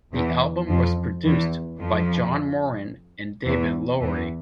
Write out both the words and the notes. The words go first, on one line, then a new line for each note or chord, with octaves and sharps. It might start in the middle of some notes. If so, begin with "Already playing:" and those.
The album was produced by John Morand and David Lowery.
E2 E3
F2 F3
E2 E3
F2 F3
E2 E3
E2 E3